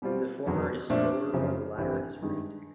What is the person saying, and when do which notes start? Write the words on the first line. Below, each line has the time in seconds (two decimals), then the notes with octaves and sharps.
The former is slower while the latter is frantic.
0.02 B2 G3 C4 F4
0.46 E2 B2 F#3 B3
0.90 A#2 F3 A3 D4
1.34 F#2 C#3 F3
1.78 A1 G2 E3 G3 C4
2.22 G2 D#3 G#3